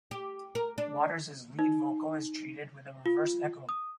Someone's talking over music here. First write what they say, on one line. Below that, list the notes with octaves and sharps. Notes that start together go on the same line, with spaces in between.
Waters's lead vocal is treated with a reverse echo.
G4
A#4
D4
D#4
F4
D#6